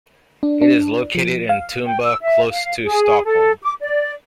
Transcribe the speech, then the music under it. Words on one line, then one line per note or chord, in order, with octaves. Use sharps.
It is located in Tumba, close to Stockholm.
D4
D4
F3
F5
G5
E6
E5
F5
G#4
A4
D6
D5